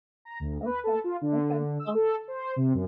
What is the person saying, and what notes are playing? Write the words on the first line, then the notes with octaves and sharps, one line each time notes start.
Okay, okay, well
A#5
D2
B4
A4
F4
D3
E6
A4
C5
C3
F#2